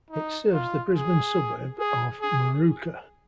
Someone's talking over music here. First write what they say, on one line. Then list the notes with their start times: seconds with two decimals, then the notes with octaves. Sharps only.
It serves the Brisbane suburb of Moorooka.
0.11 D#4
0.53 F4
0.95 G#4
1.79 G#4
2.21 G#4